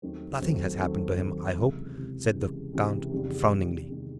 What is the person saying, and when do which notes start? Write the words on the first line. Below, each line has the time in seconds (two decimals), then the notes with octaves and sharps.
"Nothing has happened to him, I hope," said the count frowningly.
0.02 D#2 D#3 F#3 A3 C4
0.40 D#2 D#3 F#3 A3 C4
0.80 D#2 D#3 F#3 A3 C4
1.18 D#2 D#3 F#3 A3 C4
1.58 C#2 C3 E3
1.95 C#2 C3 E3
2.34 C#2 C3 E3
2.73 C#2 C3 E3
3.12 E2 C3 D#3 G3
3.51 E2 C3 D#3 G3
3.89 E2 C3 D#3 G3